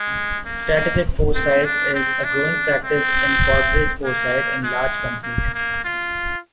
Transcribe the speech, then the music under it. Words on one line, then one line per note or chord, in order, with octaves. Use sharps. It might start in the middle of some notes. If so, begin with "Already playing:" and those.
Strategic foresight is a growing practice in corporate foresight in large companies.
Already playing: G#3
A#3
A#3
C4
D4
C4
D4
C4
A#3
G#3
A#3
A#3
F4